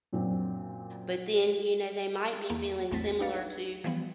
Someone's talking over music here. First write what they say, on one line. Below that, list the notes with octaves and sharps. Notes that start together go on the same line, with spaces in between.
But then, you know, they might be feeling similar to
F#2 A#2 F#3 C4 D4
E2 A#3
A1 E2 A3 C4 A6 B6
D4 D#4 B4 F5 A6 C#7
E3 F3 G3 B3